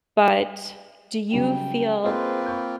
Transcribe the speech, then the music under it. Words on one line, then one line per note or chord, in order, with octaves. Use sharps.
but do you feel
C#3 F#3 G3 G5
A#3 C4 F4 G#4 B4 C5 D#5
B5 C#6 G6